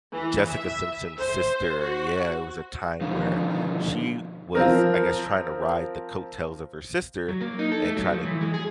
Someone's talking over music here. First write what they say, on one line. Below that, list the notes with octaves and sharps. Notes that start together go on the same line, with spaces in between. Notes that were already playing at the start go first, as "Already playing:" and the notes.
Jessica Simpson's sister, yeah, it was a time where she was, I guess, trying to ride the coattails of her sister and trying to,
E3
E5
C5
F#4
B2 D3 D#3 F3
F3 C4 A#4
F#3
A#3
D#4
A4
A3
F#3
F3
E3
G#3
G#4